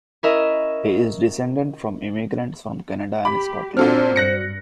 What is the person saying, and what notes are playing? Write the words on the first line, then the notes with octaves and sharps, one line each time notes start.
He is descended from immigrants from Canada and Scotland.
C#4 E4 A#4 D#5 E5
G4 B5 D6
A#2 C4 D4 F#4 A4 C5 D5 F6
G2 F#6 A#6 C#7